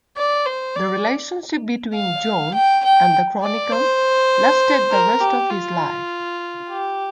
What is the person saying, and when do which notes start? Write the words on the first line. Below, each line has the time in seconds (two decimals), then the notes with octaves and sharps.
The relationship between Jones and the "Chronicle" lasted the rest of his life.
0.17 D5
0.46 C5
0.76 D5
1.94 F5
2.54 G5
2.84 G5
3.43 D5
3.72 C5
4.91 A#4
5.21 G4
5.50 F4
6.70 G4